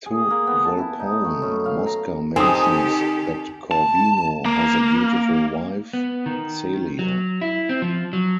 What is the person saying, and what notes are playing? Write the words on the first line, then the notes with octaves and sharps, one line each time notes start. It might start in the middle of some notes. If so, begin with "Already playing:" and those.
To Volpone, Mosca mentions that Corvino has a beautiful wife, Celia.
G#4
A#3
B3
A5
E4
D#4
A3
F#2
F5
A#5
D#3 C4 D#4 G4 A4 G#5 D#6
A5
A#3
B3
D#3
F#3
E4
C4
F3
F#3